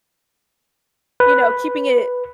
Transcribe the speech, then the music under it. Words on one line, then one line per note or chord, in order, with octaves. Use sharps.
you know, keeping it,
B4